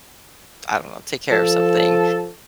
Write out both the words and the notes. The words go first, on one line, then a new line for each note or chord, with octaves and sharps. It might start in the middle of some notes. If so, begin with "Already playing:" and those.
I don't know, take care of something,
F3 A4